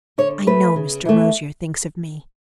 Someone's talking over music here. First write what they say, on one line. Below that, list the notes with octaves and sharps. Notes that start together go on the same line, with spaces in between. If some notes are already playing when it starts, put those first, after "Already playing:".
"I know Mr. Rosier thinks of me."
D3 C#5
A3 B4
C#3
E3 A3